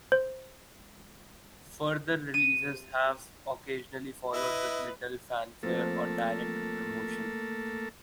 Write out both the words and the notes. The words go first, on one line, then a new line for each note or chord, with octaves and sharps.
Further releases have occasionally followed, with little fanfare or direct promotion.
C5
D#7
E4 B4 D#5
F3 A3 A#3 C4 A4